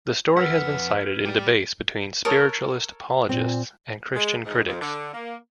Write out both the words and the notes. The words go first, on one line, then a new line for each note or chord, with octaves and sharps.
The story has been cited in debates between Spiritualist apologists and Christian critics.
F2 B4 F#5 E6 F6 A#6 B6
G4 D5
A4 A#4 C#5 D#6
A#2 C4
G#3
G#2
F2
D3
A#3